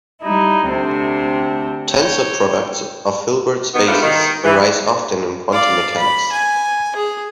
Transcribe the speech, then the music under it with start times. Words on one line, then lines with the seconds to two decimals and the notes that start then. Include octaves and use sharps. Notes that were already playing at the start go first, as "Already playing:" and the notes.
Tensor products of Hilbert spaces arise often in quantum mechanics.
0.22 G3 D#4 E4
0.67 D2 C3 C4 D4
1.91 C#5 G5
3.74 D#3 B3
3.87 G3 A3 B3 D4 F4
4.02 D#3
4.44 E3
5.52 D5 F5
5.97 B5
6.32 G#5
6.96 G#4